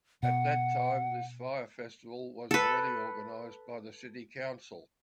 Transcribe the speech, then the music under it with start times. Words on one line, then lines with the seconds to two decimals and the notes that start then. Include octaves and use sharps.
At that time this fire festival was already organised by the city council.
0.23 B2 F#5
2.51 A4 B4